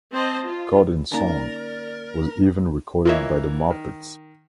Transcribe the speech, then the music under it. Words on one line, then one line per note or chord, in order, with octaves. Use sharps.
"Garden Song" was even recorded by the Muppets.
C4 C5 D#5 A5
F4
D3 A#3 C#4 D#4 A#4 D5 A#5
E3 A#3 F4 C#5 D#5 E5
D#3